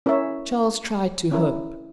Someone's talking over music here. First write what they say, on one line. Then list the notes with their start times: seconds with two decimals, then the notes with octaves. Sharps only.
Charles tried to hope.
0.06 C#4 E4 A#4 C#5 E5
1.31 C#4 E4 A#4